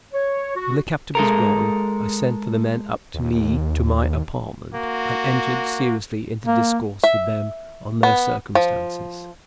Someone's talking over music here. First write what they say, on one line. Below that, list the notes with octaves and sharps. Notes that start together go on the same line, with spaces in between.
When the captain was gone, I sent for the men up to me to my apartment, and entered seriously into discourse with them on their circumstances.
C#5
F#4
G#3 A4 A#4
D#2
A#3 F#4
A#3
E5
B3
F3